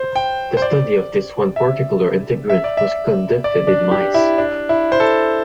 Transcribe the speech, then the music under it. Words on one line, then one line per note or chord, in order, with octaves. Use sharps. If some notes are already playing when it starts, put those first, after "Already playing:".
The study of this one particular integrin was conducted in mice.
Already playing: C5
G5
C5
D5
E5
E5
D5
E5
D5
D4
G4
E4
D4
E4
C5
A4